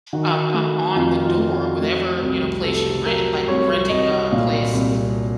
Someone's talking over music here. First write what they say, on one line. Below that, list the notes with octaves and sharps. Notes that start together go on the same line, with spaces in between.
um, um, on the door, whatever, you know, place you rent, like, renting a a place
D#3 F#4
A3
F2 F4
F4
A3
F#4
A3
C2
C3 A4
F#3 A#4
C2 C#5
C2 D#5
A#2 F5
C2